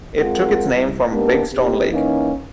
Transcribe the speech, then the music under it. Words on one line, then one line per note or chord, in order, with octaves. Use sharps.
It took its name from Big Stone Lake.
G#3 C4 F4 G#4 A#4 F#5
C2
A#3 B3 D4 D#4 G4 A#4
B3 C4 D#4 G4
E3 A#3 C#4 D#4